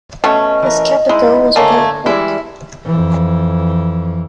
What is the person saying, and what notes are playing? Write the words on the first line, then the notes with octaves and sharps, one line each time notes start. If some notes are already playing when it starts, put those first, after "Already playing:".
His capital was Belgrade.
B2 A3 C#4 D#5
E3 A#4
G#3 D#4 E4
D3 A3 A#3 C#5 G#5
E3 G3 G#3 E4
F2 E3